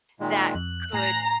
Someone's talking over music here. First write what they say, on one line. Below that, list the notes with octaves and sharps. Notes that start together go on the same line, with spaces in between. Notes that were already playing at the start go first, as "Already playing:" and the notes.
that could
A#2 D#3 G#3
F2 F#6
A2 G#5 A#5 C7